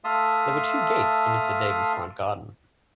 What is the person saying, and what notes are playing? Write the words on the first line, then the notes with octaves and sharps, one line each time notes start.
There were two gates to Mr. Davey's front garden.
A3 E5 F5 A5 C6 D#6